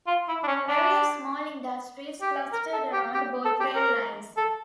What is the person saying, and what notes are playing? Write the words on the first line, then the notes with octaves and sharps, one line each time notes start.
Various small industries clustered around both rail lines.
F4
E4
D4
C#4
D4
G4
A#4
A4
G4
G4
A4
G4
A#4
A4